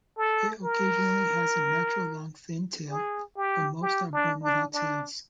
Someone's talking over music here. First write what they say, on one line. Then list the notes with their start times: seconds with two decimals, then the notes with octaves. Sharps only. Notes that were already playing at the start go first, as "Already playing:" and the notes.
It occasionally has a natural long thin tail, but most are born without tails.
0.18 A4
0.64 A#4
2.91 G#4
3.37 G4
3.82 G4
4.13 D4
4.43 D4
4.73 D4